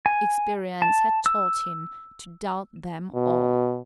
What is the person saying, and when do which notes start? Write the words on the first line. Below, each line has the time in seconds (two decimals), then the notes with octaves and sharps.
Experience had taught him to doubt them all.
0.06 G#5
0.82 A5
1.26 E6
3.14 B2